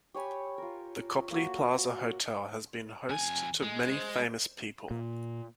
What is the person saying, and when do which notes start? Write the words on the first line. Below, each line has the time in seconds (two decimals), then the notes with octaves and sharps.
The Copley Plaza Hotel has been host to many famous people.
0.14 G4 C#5 G#5 B5
0.58 F4 A#4
1.31 A#3 F#4
3.10 F2 G#5
3.63 G#3
4.91 A#2